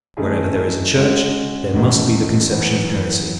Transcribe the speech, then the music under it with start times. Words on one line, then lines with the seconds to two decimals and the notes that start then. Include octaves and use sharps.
Wherever there is a church, there must be the conception of heresy.
0.17 D#3 A3 C#4 E4 G#4
0.95 G#3 C#4 F#4
1.73 E2 D#3 A3 C#4
2.51 F#2 E3 B3